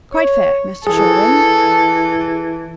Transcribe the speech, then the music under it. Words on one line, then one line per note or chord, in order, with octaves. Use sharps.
"Quite fair, Mr. Sherwin."
C#5
E3 G#4 A4